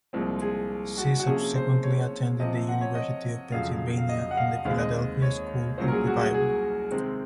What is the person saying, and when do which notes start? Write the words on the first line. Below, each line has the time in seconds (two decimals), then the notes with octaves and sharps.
She subsequently attended the University of Pennsylvania and the Philadelphia School of the Bible.
0.13 C2 A#2 F3 G#3 C4
0.41 G#4
0.98 F#4
1.20 F#4
1.26 C3 F3 A#3 C#4 G#4
1.55 C5
1.83 C#5
2.40 C3 F3 C4 D#5
2.68 F#5
2.81 C#5
2.95 D#5
3.52 F2 C#3 F#3 F5
3.98 F5
4.09 D#5
4.31 F#5
4.37 F5
4.65 D#2 D#3 G#3 C4 F5
4.80 D#5
5.22 C#5
5.78 C2 A#2 F#3 C#4 C5
5.88 A#4
5.92 G#4
6.07 F#4
6.21 G#4
6.34 G#4
6.91 C3 D#3 G#3 C4